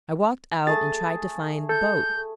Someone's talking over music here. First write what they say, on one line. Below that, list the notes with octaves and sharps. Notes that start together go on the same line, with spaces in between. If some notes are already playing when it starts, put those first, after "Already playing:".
I walked out and tried to find the boat.
A3 G#4 A6
A4 G6